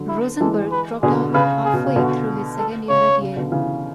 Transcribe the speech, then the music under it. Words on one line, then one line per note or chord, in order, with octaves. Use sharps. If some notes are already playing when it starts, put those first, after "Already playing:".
Rosenberg dropped out halfway through his second year at Yale.
Already playing: D3 F#3
E4
E3 G#3 A4
B4
B2 D3 G#4
C#3 B4
G#4
B2
C#3
B2 D3 F#4
A4
C#3 C#5
C#3
B2 D3
C#3 E3